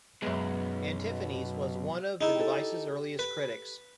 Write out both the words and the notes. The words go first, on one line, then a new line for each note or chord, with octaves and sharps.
Antiphanes was one of the device's earliest critics.
B1 F#2 G#3 B3
B2
D#4 E4 G#4
G4 A4
B4